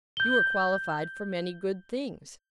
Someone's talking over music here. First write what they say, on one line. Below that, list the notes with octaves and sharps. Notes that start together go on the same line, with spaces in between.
You are qualified for many good things.
G6 G7